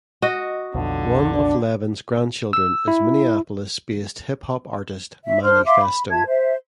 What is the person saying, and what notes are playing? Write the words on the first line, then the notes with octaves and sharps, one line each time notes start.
One of Levins's grandchildren is Minneapolis-based hip hop artist Manny Phesto.
F#4 D#5
B1 F2 D3
D4
E6
E4
E5
D4 C5 C6 F6
E5 F5 C6 D6
B5
F4 E5 A5 G#6
C5 E5